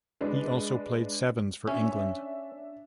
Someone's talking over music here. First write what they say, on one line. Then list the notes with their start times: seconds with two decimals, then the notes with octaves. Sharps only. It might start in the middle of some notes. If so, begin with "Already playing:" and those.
He also played Sevens for England.
0.21 G#3 D4 B4
1.67 C#4 D4 E5